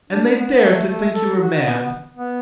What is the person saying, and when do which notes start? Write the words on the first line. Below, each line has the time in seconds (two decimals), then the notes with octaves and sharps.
And they dared to think you were mad!
0.10 D4
0.37 B3
0.62 A3
0.88 A3
1.14 A4
1.40 F#4
1.65 B3
2.17 B3